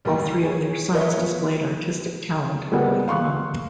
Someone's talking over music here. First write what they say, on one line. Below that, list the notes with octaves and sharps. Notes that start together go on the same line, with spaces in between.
All three of their sons displayed artistic talent early on.
A1 D2 G3 A#3
G#4 C#5
G#4 A#4 B4 C#5 D#5 E5
B3 F4
G3 G#3 A#3 B3 B4 F#5
F5 C6 C#6 F#6